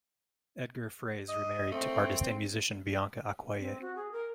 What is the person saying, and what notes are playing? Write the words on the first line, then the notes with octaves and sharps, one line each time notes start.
Edgar Froese remarried to artist and musician Bianca Acquaye.
D#5
A3 C4
C4
F#4
G#4
A#4